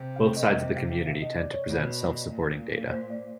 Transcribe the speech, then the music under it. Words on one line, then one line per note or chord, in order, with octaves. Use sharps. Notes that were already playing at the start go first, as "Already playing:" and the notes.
Both sides of the community tend to present self-supporting data.
Already playing: C3
F5
D#5
E5
F5
F5
E5
D#5
D5
C#5
B2
A#2
C5
D5